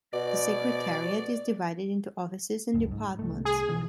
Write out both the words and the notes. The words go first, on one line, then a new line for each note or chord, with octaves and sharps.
The Secretariat is divided into offices and departments.
B2 D5
F#1 C#2
G#2
C2 A3
G#4
B2 E3 F3